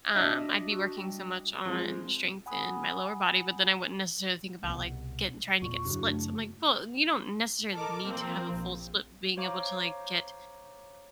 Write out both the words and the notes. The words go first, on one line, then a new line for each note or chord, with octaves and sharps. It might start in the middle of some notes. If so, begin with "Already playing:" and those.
um, I'd be working so much on strength in my lower body, but then I wouldn't necessarily think about, like, getting trying to get splits. I'm, like, "Well, you don't necessarily need to have a full split, being able to, like, get
D4 F#4 D#5 E5
F#4 C#6 E6
G3
F3 G#3 C4
F#5 G#5 B5 D#6
C2 B2 B3
E2 A#2 C#6
F#2 C#3 F#3 D4 E4 F#4
A3
A4 A#4 D#5 D6
F3 A#3 C4
A#1
C5 C#5 F5 A#5 D6